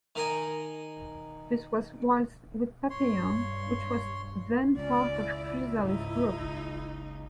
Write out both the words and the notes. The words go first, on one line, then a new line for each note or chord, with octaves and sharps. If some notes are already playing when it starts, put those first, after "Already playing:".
This was whilst with Papillon which was then part of Chrysalis Group.
D#3 A#4 D#5 G#5
G2 C#5 C6
C#2 C#4 D5
E4
G#2 D#4
F#1